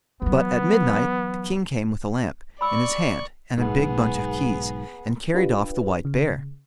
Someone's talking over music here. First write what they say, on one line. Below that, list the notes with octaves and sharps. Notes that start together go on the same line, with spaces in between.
But at midnight the king came with a lamp in his hand and a big bunch of keys, and carried off the white bear.
E3 F#3 B3
D5 B5 C#6 E6
B1 G#2 B3 G#4
D4 F4 G4 B4
C#3